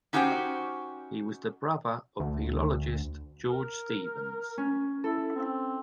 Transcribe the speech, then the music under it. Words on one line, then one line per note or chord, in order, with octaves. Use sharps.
He was the brother of the philologist George Stephens.
C#4 D#4 F#4 G4 C5 G5
D2
A#4
C#4
E4 A4
C4